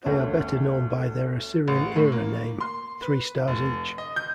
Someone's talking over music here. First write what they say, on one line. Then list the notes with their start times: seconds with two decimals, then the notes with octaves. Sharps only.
They are better known by their Assyrian-era name 'Three Stars Each'.
0.04 G1 D2 A3 C#4
1.68 A1
1.96 A2
2.12 A#3
2.60 C6
3.02 B4
3.48 F1
3.98 D#5
4.16 G6